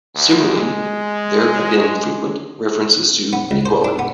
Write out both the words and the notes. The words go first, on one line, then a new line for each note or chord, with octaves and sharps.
Similarly, there have been frequent references to equity.
D2
G#3
B3
C#2
C5
D4
B3